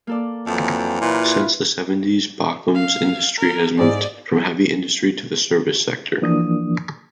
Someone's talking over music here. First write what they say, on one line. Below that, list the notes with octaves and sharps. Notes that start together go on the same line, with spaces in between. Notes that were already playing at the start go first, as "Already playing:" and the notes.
Since the seventies, Bochum's industry has moved from heavy industry to the service sector.
A#3 A4 D5
F2 E3 F#3 E5 A5
A#2 E4 F4 B4
F5
A#4
G#2 G#4 C5 D5
E3 F3 A#3 D4 D#6